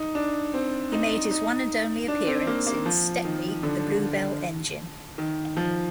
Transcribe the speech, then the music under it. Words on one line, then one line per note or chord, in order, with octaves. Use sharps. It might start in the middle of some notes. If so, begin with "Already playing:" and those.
He made his one and only appearance in "Stepney the "Bluebell" Engine".
Already playing: D#4
D4
C4
D#4
D#4
D4
C4
A#3
A#3
F3
D#3
D3
D#3
F3